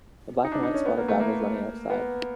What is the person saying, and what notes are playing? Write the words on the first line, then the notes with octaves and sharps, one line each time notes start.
The black and white spotted dog is running outside.
D#4
D4
D#4
C#4
B3
A#3
A3
A#3
B3